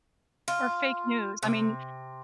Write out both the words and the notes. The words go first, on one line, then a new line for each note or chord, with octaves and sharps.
Or fake news, I mean,
F4
C3